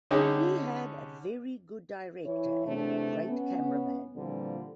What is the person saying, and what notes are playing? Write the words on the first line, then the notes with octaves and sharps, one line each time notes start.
We had a very good director and a great cameraman.
D3 G3 C#4 D#4 G4 G#4
E3 E4 C#5
E2 C3 E3 A3 D4
B3 C#4
A#2 D3 E3 F3 G3 C4